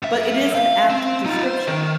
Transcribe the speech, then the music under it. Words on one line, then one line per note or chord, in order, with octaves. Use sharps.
but it is an apt description,
F#2 E5
F5
C4
D#4 F4
C5
D#3